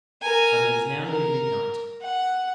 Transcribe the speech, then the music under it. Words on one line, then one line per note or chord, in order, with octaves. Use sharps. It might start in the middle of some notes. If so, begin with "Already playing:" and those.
But it is now near midnight.
A#4 G#5
A#4
F#5